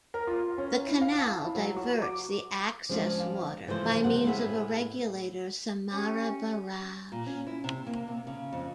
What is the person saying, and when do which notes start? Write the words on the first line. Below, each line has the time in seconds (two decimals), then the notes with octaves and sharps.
The canal diverts the access water, by means of a regulator Samarra Barrage.
0.14 A#4
0.27 F4
0.58 C#4
0.86 E4
1.01 F5
1.19 A5
1.39 E4
1.55 F#3
1.77 F#4
2.02 D6
2.89 F3 G#3 C#4 D4 F4 D5
3.20 F5
3.67 C#3 E3 F3 A3 C5
4.04 D2 C3 F#5
4.24 A2 B3 G#4 E5
5.92 C#4 G4
7.12 A#2
7.26 C#4
7.47 E4
7.64 C3
7.87 A#3
8.08 C3
8.27 C#3
8.52 F2